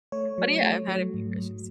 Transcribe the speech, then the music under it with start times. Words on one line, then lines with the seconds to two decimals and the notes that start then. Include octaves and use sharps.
But, yeah, I've had a few crushes.
0.12 A3 C#5
0.38 F#3
0.62 A3
0.88 F#3
1.14 G#2
1.38 G#2